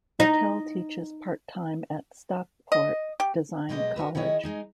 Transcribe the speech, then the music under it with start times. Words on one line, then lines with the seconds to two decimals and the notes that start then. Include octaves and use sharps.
Votel teaches part-time at Stockport Design College.
0.20 D#4
2.72 D#5
3.20 G4
3.69 B2 F#3 G#3 G4 A4 D#5
3.96 F#4 G4 A#4 B4
4.15 D#3 E4 G#4 C#5 D#5
4.43 G#3 D#4 G#4